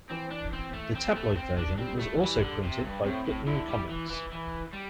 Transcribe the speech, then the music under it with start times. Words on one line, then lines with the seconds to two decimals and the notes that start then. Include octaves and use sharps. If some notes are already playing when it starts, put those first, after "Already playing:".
The tabloid version was also printed by Whitman Comics.
0.10 E3 C4
0.31 D4
0.53 C4
0.73 A3
0.95 C4
1.15 A3
1.36 C4
1.58 D4
1.78 G3 C4
1.99 A3
2.20 E3 G3
2.42 D3
2.63 C3
2.84 G2
3.05 A2 C4
3.26 A2
3.47 D3 E4
3.68 G3
3.90 E3
4.10 E3
4.32 E3
4.73 G3